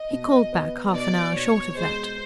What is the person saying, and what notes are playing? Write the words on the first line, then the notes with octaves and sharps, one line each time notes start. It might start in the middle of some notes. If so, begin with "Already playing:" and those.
He called back half an hour short of that.
Already playing: D#5
B2
B3
B2 D5
B2 C#5
G#3 C5